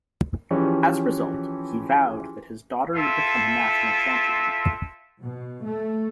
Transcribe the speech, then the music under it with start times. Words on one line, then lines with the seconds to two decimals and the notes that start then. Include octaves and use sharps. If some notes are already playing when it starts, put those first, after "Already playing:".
As a result, he vowed that his daughter would become a national champion.
0.51 E3 F3 C#4 G4 G#4
2.96 C4 E4 F4 A4 E5
5.22 B2
5.66 A3